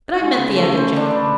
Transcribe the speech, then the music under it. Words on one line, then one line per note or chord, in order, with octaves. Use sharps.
But I meant the other gentlemen.
G#3
C#3
A3
C5
D4
B4